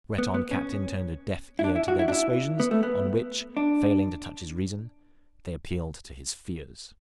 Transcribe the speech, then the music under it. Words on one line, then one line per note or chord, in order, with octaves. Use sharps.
The Breton captain turned a deaf ear to their dissuasions; on which, failing to touch his reason, they appealed to his fears.
B3
B3
C#4
E4
D4
E4
F#4
E4
D4
E4
B3
A3
B3
D4